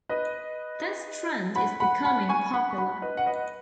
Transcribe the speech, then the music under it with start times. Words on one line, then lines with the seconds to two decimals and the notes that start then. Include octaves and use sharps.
This trend is becoming popular.
0.09 B4 D#5
1.55 F#5 B5
1.80 F#5 B5
2.04 F#5 B5
2.29 G#5 C#6
2.54 F#5 B5
2.70 C#6
2.78 F#5 B5
3.02 B4 D#5
3.17 F#5
3.26 B4 D#5